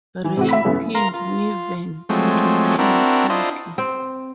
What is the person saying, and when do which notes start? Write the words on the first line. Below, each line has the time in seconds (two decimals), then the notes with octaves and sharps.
Ray pinned Niven to retain the title.
0.24 E3
0.37 C3 E4 F#4
0.49 E5 B5 B6
0.65 F#2 C#3 A3 B3 E4
0.95 A#4 F5 A#5 C6
1.14 F4
2.09 F3 F#3 G#3 A3 C4
2.79 C4 D4 E4 F#4 A#4
3.30 D4 E4 F4 C5 D#5
3.78 C4